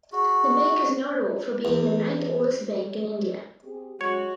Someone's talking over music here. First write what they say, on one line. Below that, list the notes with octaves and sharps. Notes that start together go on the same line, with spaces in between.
The bank is notable for being the ninth oldest bank in India.
F#4 G#4
E2
C4 G4 G#4
F#2 G#3 F#4 G#4 C#5